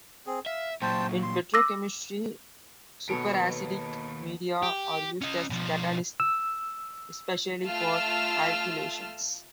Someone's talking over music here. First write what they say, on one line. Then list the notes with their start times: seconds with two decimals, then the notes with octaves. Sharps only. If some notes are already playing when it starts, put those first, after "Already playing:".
In petrochemistry, superacidic media are used as catalysts, especially for alkylations.
0.26 C4 G#4
0.46 E5 F5
0.82 A#2 F#3 C5 G5 A5
1.23 C6
1.54 D6 E6 A#6
3.09 D#2 B2 B3 A4 C#5 D7
4.63 G4
5.22 C#4 D#5
5.50 B2 F3
6.20 E6
7.64 A3 F4 A5 E6 F6